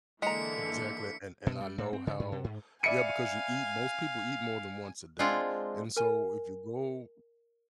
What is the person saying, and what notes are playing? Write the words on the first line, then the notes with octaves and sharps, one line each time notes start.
Exactly, and and I know how yeah, because you eat most people eat more than once a day, and so, if you go
D3 E3 G#3 A#3 A#5 B6 C#7
B2
G3
A2
C4
C#3
G#2
C3
G#2
D5 E5 F5 G#5 B5 C#7 D#7
G#3 C4 D4 F4 F#5
A#4 G#5